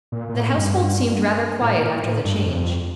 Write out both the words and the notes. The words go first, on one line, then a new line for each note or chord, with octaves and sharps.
The household seemed rather quiet after the change.
A#2
A#2
A2
G2
A2
A#2
A2
G2
G2
F2